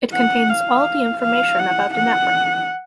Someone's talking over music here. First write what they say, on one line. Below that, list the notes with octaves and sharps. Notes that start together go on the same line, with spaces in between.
It contains all the information about the network.
F#5
F5
F5
F#5
F#5